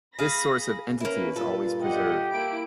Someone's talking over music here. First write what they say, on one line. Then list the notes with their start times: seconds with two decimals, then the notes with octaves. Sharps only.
This source of entity is always preserved.
0.19 G#4 F5 B5 A#6
1.00 A#3 C#4 E4 B4
1.36 G2 A#2 F4 A4
1.82 G4 D#5 F#5
2.31 A#3 E4 D7